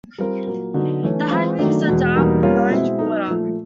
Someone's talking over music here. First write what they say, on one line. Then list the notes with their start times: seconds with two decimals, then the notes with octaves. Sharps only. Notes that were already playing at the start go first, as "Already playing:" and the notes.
The hindwings are dark with an orange border.
0.18 G3 C4 F4 A#4
0.47 A#2 F#3 A#3
0.74 D3 F#3 B3 D#4 F#4
1.03 E3 A3 C#4
1.31 E3 G#3 C4 F4
1.58 D#3 F#3 A3 D4
1.87 E2 B2 G#3
2.15 E2 B2 G3 A#3 D#4
2.43 G3 A#3 C#4 F4
2.70 B2 G#3 C4 E4
2.99 F#3 B3 D#4
3.27 A#2 F3 A3